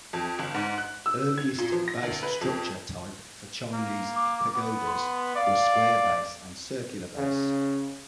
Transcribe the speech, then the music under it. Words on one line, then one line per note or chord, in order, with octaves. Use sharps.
Earliest base-structure type for Chinese pagodas were square-base and circular-base.
F2
G1
G#2
F#6
E6
G#6
A#2
F3
A#6
D2
B4
F2
A#3
D6
B3
C6
D5 F5
C#3